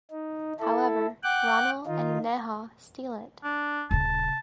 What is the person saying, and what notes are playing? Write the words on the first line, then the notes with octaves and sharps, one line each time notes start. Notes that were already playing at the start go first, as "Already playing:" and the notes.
However Rano and Neha steal it.
D#4
E4 A4
F#5 G5 D6 F#6
D#3 D#4 F4
D4
D#1 C#3 A5